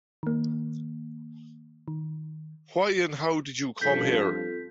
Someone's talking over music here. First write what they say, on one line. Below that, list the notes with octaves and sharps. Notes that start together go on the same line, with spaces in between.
Why and how did you come here?
D#3 A#3
D#3
G2 F3 C#4 A4 G6 B6
C4 F4 A4